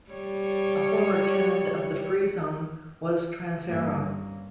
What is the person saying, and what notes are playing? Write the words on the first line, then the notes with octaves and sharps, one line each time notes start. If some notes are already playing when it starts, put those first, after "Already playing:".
A former tenant of the Free Zone was Transaero.
G3 C#5
G2 A#3 C#4